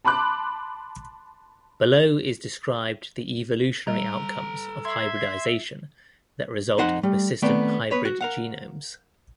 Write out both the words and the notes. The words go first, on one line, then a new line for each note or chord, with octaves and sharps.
Below is described the evolutionary outcomes of hybridisation that result in persistent hybrid genomes.
A5 B5 C6 D6 F#6
G3 A4 D#5 A#5
E5 C6 G#6
F2 D#4 C5 F#5 C6
G3 A3
D#3 A3 B3 C4 D5
B3 B4 C#5
F#4
A#4 F5 F#5